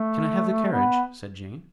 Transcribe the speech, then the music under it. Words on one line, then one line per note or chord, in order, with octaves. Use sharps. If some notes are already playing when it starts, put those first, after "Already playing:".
"Can I have the carriage?" said Jane.
Already playing: A3
B3